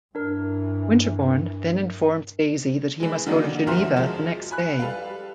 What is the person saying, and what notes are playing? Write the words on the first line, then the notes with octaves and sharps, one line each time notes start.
Winterbourne then informs Daisy that he must go to Geneva the next day.
G2 E3 D4 A#4
E3 G#3
D3 D#3 F#3 A#3 D4 D#4
D2 F3 F#4 A#4 E5 C6
F3 F#3 G#3
G#5 B5 F#6
G3 A4 B4 F5